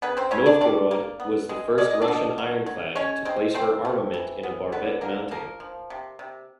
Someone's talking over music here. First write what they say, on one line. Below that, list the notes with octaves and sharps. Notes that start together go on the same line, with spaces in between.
"Novgorod" was the first Russian ironclad to place her armament in a barbette mounting.
C#3 B3 B4
C4 C5
C#3 C#4 C#5
D4 D5
G3 D4 D5
A#3
B3
G#3
G#3 D5
D#5
D4 D5
B2
F#3
F#3
G#3 C#4 C#5
G#3 C4 C5
A3 C4 C5
A3
E3
B3
D3 B3 B4
D3 A#3 A#4
F3 A#3 A#4
F3
C3
C3